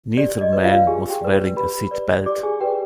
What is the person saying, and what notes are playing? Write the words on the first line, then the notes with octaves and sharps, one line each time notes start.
Neither man was wearing a seat belt.
G4 D5
D#5
B4 D5
F4 F5
G4 G#4 G#5
G4 G5
B4 D5
G4 B4 B5
B4 D5
G4 D5 D6
G#4 G#5
G4 B4 D5 G5